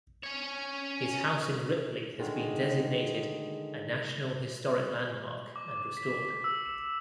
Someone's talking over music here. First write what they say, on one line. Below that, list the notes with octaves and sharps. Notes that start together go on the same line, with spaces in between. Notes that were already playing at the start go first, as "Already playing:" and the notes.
His house in Ripley has been designated a National Historic Landmark and restored.
C#4 C#5
D3 D#3 G#3
D6
B6
E6
E7